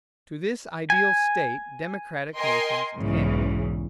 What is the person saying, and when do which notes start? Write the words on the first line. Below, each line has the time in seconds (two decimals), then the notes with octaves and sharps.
To this ideal state democratic nations tend.
0.90 G#5
2.37 A#4 D#5 G5 G#5 C6
2.95 B1 E2 G#2 C#3 E3